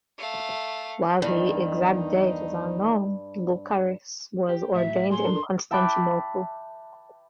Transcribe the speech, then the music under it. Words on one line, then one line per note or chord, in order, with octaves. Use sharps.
While the exact date is unknown, Lucaris was ordained in Constantinople.
A3 F5
E2 G2 D#3 D#4
G4
A2 F#3 E5
G#4 G#5 C6
D4 A4 A#4
E5 G5 A5 B5 D6 F#6